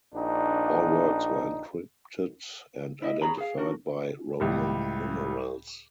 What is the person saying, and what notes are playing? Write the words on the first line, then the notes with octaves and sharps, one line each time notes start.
All works were encrypted and identified by Roman numerals.
A#1 D4 D#4
E4 D#5 E5
G#4 C#5 A#5 B5
G#4 F5
D4 F#4 A#4
C#2 A2 G3